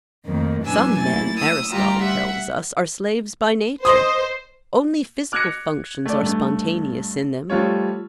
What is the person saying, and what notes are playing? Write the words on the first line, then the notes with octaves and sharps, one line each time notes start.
Some men, Aristotle tells us, are slaves by nature; only physical functions are spontaneous in them.
F2 D#3 A3 A#3
F#2 A#2 E3 D4 G#5 E6
A3 A#3 E4 A6
D#6 E6
D2 G3 F4 G4 A#5
E5 F#5
C5 D#5 C6 D#6
D6 F6 F#6 G#6 A#6 C#7
A3 D5
G2 A3
F3 G3 A3 F4 C#5